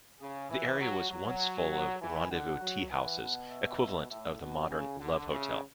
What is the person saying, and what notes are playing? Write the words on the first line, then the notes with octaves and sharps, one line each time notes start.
The area was once full of "rendezvous teahouses", equivalent of the modern love hotel.
C#3 G#4
E3 E5
F#3 F#5
F#3
F#5
E3 G#5
D3 F#5
F#3
E3 F#5
B2
E5
A2 E5
B2 F#5
C#3 G#5
D3 F#5
C#3 E5